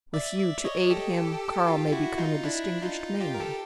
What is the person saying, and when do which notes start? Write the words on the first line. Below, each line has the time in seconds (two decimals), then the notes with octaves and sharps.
With you to aid him, Karl may become a distinguished man.
0.14 D5 E5
0.39 D5 E5
0.65 C#5 D#5
0.90 G4 A4
1.67 F4 G4
1.92 E4 F#4
2.18 D#4 F4
2.44 D4 E4
2.82 D#4 F4
3.21 F4 G4
3.34 A#4
3.40 G4 A4